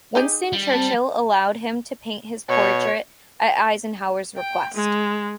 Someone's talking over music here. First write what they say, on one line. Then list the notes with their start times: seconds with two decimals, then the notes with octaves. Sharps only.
Winston Churchill allowed him to paint his portrait at Eisenhower's request.
0.15 D#4 G4 G#4
0.53 G3
0.73 C4 A5
2.49 B2 C#5
4.38 G5
4.74 G#3